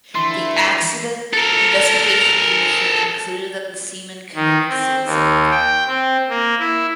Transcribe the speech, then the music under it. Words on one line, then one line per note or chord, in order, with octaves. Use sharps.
The Accident Investigation Commission concluded that the seaman committed suicide.
D2 E3 A3 E4 F4 C6
A4 A#4
D#3
C4
D#2
G5
C4
A#3
E4